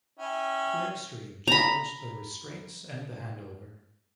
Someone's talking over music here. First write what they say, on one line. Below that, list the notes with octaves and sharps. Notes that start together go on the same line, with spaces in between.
Clearstream challenged the restraints and the handover.
C#4 E4 G5
A#5 B5